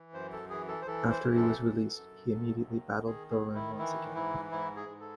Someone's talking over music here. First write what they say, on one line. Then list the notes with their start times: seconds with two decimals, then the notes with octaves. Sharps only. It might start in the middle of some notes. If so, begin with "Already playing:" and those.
After he was released, he immediately battled Thoron once again.
Already playing: E3
0.13 F#2 C5
0.32 A4
0.49 E3 G#4
0.68 A4
0.82 C5
0.87 E3 A4
1.10 C5
1.23 F#2
1.36 A4
1.59 F#2
1.96 F#2
2.33 D#2
2.69 D#3
3.06 D#3 G#4
3.30 G#4
3.42 D#3
3.54 E4
3.78 E3 E4
4.15 G#2 E4
4.51 G#2 E4
4.76 G#4
4.88 G#2
5.01 A4